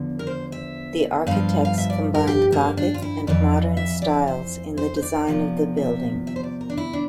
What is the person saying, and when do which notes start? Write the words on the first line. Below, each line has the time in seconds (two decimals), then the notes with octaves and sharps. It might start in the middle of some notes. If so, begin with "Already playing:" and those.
The architects combined Gothic and modern styles in the design of the building.
Already playing: E2 D3 F3
0.19 A#4
0.27 C5
0.52 E5
1.27 G2 F3 F5
1.65 F5
1.78 E5
1.90 D5
2.14 A#4
2.27 G4
2.52 A#3
2.77 D4
2.94 F4
3.02 E4
3.27 F2 E3 D5
3.77 E5
4.02 D5
4.27 C5
4.77 C5
4.96 C5
5.02 D5
5.27 E2 C3 F3
5.77 E5
6.27 E5
6.36 C5
6.43 D5
6.61 A#4
6.70 D4
6.77 E4
6.93 D4